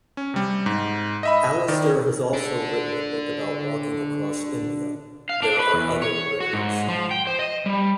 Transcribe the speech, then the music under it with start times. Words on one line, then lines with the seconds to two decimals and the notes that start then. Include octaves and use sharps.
Alastair has also written a book about walking across India: "There Are Other Rivers".
0.17 C#4
0.34 C3 G3
0.66 G#2
1.23 D#5 E5 B5
1.68 D#3 D5
2.33 D4 A4
5.29 F5
5.43 D4
5.59 B4
5.74 E2
6.02 C#5
6.40 F#4
6.53 G#2
6.89 F3
7.11 G5
7.27 C5
7.39 D#5
7.66 G3